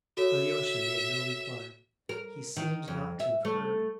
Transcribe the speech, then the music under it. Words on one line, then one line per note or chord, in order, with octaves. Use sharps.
Alyosha made no reply, he seemed not to have heard.
F#4 A4 C#5 E5
A#4
D#3
F2
E5
A3